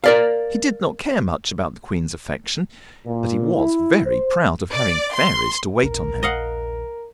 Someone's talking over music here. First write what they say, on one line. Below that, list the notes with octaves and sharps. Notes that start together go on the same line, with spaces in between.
He did not care much about the Queen's affection, but he was very proud of having fairies to wait on him.
A#4 D5 F5
A#2
E4
C5
D5
C6
A#1 D#2 A#4
D#5 F5 F#5